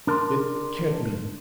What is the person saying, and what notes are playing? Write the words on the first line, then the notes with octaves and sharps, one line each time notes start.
It can't be.
D4 A#4 A#5 C6